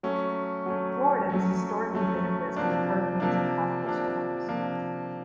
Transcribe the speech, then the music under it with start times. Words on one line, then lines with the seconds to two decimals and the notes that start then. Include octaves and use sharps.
Florida has historically been at risk from hurricanes and tropical storms.
0.03 F#3 A3 C#4
0.66 F#3 A3 C#4
1.30 F#3 A3 C#4
1.94 F#3 A3 C#4
2.57 C3 F3 A#3 D4
3.20 C3 F3 A#3 D4
3.84 C3 F3 A#3 D4
4.48 C3 F3 A#3 D4